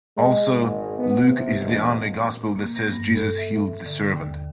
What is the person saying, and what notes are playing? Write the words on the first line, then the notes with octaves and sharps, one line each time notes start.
Also, Luke is the only gospel that says Jesus healed the servant.
G#3
G#1
B3
C3
E1
A#2
A#3
A#6
G2
A4
E5
D3
D#2